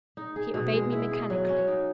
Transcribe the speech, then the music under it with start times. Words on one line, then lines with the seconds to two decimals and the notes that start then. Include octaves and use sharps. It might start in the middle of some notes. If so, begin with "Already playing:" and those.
He obeyed me mechanically.
0.17 D#4
0.36 G#4
0.54 B2
0.73 G#3
0.92 E4
1.11 G#4
1.30 F#3
1.49 C#4
1.67 D#4